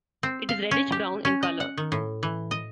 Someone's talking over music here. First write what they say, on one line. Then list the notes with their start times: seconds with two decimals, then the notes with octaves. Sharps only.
It is reddish-brown in color.
0.23 C4
0.49 F5
0.71 C#4
0.92 G4
1.25 C#4
1.43 D#5
1.60 F#5
1.78 D#3
1.92 A2
2.23 E3
2.51 D#5